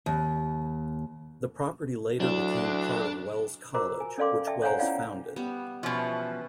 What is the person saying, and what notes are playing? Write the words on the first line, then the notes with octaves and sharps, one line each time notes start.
The property later became part of Wells College, which Wells founded.
D#2
D2 F#3 D4 E4 F#4
F4 F#4 A#4 C5 A#5 D6
G#5
C#4 A4 D5 F5 C6 D6
D5 E5 G5 A5
C5 C#5 F5 F#5 G#5 A#5
C#4 E4 F4 D5 F5 F#5
G3 B3
B2 E3 F3 C#4